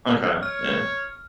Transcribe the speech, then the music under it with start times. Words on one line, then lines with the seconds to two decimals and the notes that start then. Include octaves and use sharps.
Okay. Yeah.
0.43 C#5 F6